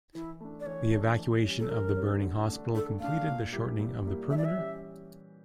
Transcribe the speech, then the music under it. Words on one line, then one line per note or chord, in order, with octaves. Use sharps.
The evacuation of the burning hospital completed the shortening of the perimeter.
E3 E4
A3 D4
D5
E3 C#5
A3 D4
E3
G3 C#4
A4
E3 A#4
G3 C#4
D3
A3 D4
D3 A4
A3 D4 F5
A#2
G3 A#3 E4 G4
A#2
G3 A#3 E4 G4
E3 E5
D5
E5
G3 C#4 G4